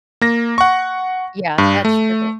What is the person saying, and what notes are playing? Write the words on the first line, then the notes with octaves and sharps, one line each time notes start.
Yeah, that's true.
A#3 A#6
F#5 C#6
G2
A3